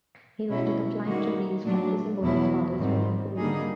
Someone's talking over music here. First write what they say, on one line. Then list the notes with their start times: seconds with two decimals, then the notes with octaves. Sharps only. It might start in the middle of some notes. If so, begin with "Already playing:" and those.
He invented the flying trapeze, practising over his father's swimming pool.
0.49 B2 F#3 A3 C#4 E4
1.06 D#3 G3 A#3 D#4 F#4
1.64 A#2 F#3 A3 D4
2.22 E2 B2 F#3 B3 E4
2.79 G#2 D#3 G3 C4
3.37 D3 G3 A#3 D#4 G#4